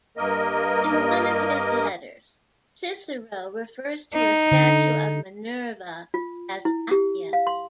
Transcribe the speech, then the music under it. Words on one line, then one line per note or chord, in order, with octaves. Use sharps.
In one of his letters, Cicero refers to a statue of Minerva as "Appias".
G2 A#3 A#4 D#5
D#4
D3
F4
E4
G4
F5
C6